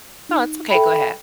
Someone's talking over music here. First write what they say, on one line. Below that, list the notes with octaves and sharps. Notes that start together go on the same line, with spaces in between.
No, it's okay go ahead.
D#4
A4 E5 G5 B5